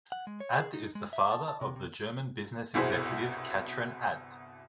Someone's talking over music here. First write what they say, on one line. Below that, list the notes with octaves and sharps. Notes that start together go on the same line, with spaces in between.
Adt is the father of the German business executive Katrin Adt.
F#5
G#3
C#5
G#4
D#4
G#3
E5
A5
A5
C3
C3
G1 C2 B2 E4 G#4 C5